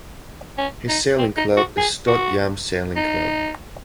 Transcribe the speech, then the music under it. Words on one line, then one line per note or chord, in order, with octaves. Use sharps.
His sailing club is Sdot Yam Sailing Club.
C#4
D#4
C4
D#4
F#4
G#4
F#4
D#4